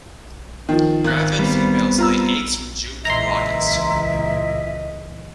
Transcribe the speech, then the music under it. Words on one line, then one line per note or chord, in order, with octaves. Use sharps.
Gravid females lay eggs from June through August.
D#3 F3
G#1 F#6
G3 B3 C4
F4 A#5 E6
C#2 A#2 E3 D#5 E5 A#5 C6